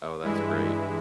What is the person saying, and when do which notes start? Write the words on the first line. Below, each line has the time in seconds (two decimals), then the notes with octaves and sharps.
Oh, that's great.
0.22 G2 E3 G#3 E4